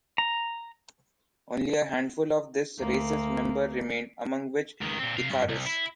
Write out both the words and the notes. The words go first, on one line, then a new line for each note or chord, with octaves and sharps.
Only a handful of this race’s members remained, among which Ikaris.
A#5
D2 A#3
C#2 D#3
A#2 C4
C3 F5
G2
C2
E4